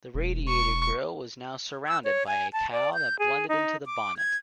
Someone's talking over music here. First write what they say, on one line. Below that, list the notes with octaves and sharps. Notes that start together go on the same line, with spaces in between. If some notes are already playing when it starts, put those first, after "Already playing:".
The radiator grille was now surrounded by a cowl that blended into the bonnet.
E1
C#6
E6
C#5
G#5
A5
D5
G6
G#4
D#4
D6
G#6